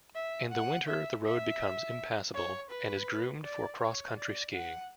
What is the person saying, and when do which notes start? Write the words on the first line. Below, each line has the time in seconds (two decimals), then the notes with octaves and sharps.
In the winter, the road becomes impassable, and is groomed for cross country skiing.
0.15 E5
0.52 F#5
0.87 E5
1.24 E5
2.34 C#5
2.71 B4
3.44 D5
3.80 C#5
4.17 D5
4.54 F#5